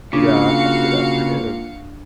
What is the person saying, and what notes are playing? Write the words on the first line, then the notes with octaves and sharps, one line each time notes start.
Yeah, have a good afternoon.
A#2 C#3 D4 F#4 F5 C#7